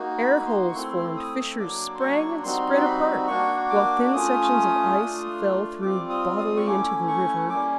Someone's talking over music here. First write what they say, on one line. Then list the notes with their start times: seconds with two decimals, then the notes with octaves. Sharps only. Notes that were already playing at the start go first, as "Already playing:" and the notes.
Air-holes formed, fissures sprang and spread apart, while thin sections of ice fell through bodily into the river.
Already playing: A#3 D#4 F#4
0.18 B5
0.46 C6
0.68 C#6
0.74 A3 C4 E4 C6
1.17 D#6
1.59 F#3 A#3 D4 D6
1.95 C6
2.01 C#6
2.43 G3 C4 D#4 F#4 C6
2.77 C6
2.85 B5
3.28 A#3 D4 F#4 C#6
3.70 D6
4.04 D6
4.13 A3 C#4 F4 D#6
4.97 A3 D4 F4
5.81 G3 C4 F4 D6
6.10 D#6
6.38 D#6
6.57 C#6
6.66 A3 C#4 E4 D6
7.08 C#6
7.50 G3 A#3 C#4 D6